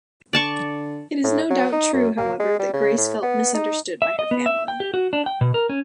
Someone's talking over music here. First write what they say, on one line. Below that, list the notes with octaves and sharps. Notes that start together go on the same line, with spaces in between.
It is no doubt true, however, that Grace felt misunderstood by her family.
D3 D5 A5 C#6
A2
F#3
D#4
F#2
A#3
G#3
G3
C#3
A2
B3
D#4
E5
D#5
B3
E5
G5
G4
F#4
D4
G5
B2
A#4
C#4